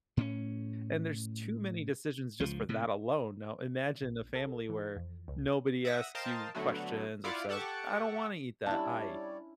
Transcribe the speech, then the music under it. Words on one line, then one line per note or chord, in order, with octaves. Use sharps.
and there's too many decisions just for that alone. Now imagine a family where nobody asks you questions or says, "I don't wanna eat that. I"
A2 C4 C#4
C#2 F3
A2 C3
A#1
A4
E3
F2
C#2
E5 F#5 D#6 A#6
A#4 C5 D#5 F5 G5 A5
D3 F#3 A3 B3 F#4
E4 F4 D5 F5 F#5 D6
G4 A4 F#5 A5 C#6 D6
G3 C#4 D4 E4 C#5 D5 A5